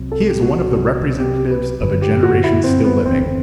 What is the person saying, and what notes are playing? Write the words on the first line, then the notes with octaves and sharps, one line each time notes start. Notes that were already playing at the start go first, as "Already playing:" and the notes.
He is one of the representatives of a generation still living.
Already playing: C2 C3 F#3 C4
A4
G4
F#4
C2 C3 F#3
G4
B4
G1 F#2 D3 B4
G4
F#4
E4
C4
B3
F#1 E2 D3 C4
C4